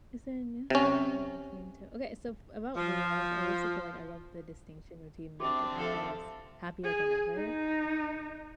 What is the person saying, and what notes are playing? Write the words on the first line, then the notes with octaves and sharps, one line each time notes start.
Is there a new song I've been listening to? Okay, so f about Billie Eilish, I also feel like I love the distinction between, like, happiest Happier Than Ever
C3 C#4
F3
C4 D4 F#4 G4 E5 D6
F3 A4
G#4
D#4